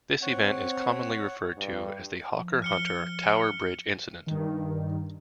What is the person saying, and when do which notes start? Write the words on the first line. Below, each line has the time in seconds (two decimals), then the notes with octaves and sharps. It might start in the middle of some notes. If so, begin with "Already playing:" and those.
This event is commonly referred to as the Hawker Hunter Tower Bridge incident.
0.22 C4 C#5 F#5
1.57 G2
2.32 F3
2.62 F6 C#7 G7
4.27 G2 D#3